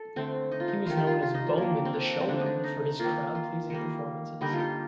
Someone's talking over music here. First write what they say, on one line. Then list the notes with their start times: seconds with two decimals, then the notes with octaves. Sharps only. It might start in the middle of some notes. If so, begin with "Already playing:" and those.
He was known as "Bowman the Showman" for his crowd-pleasing performances.
Already playing: A4
0.16 D3 A3 C4
0.51 D#4
0.60 F4
0.68 D#4
0.86 D#3 A3 F4
0.97 G4
1.07 F4
1.22 F4
1.34 D#4
1.46 D4
1.58 D#3 A#3
1.85 C4
1.93 D4
2.20 C4
2.29 D3 A3 D4
2.40 D#4
2.46 D4
2.64 D#4
2.99 D#3 A#3 F4
3.35 F4
3.70 D#3 G3 A#3
4.41 D3 G3 A#3 D#4
4.53 F4
4.59 G4